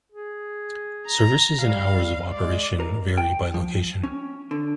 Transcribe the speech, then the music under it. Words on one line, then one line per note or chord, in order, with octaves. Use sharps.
Services and hours of operation vary by location.
G#4
A#5
G3 F5
G#3 D5
A#4
G5
F3
C#4
D3